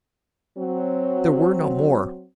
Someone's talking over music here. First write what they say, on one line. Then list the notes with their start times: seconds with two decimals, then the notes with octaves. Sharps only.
There were no more.
0.57 F#3 C4